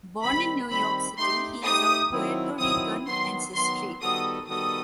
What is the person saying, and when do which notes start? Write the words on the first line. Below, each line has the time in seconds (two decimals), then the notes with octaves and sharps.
Born in New York City, he is of Puerto Rican ancestry.
0.23 D#3 G3 C4 B5
0.70 D#3 G3 C4 B5
1.18 A3 D#4 G4 C6
1.64 A3 D#4 G4 D#6
2.12 D#3 F#3 C4 E4
2.59 D#3 F#3 C4 E4 D#6
3.07 D#3 F#3 B3 C6
3.54 D#3 F#3 B3 C6
4.01 D#3 G3 B3 F#4 A4 D#6
4.48 D#3 G3 B3 F#4 A4 D#6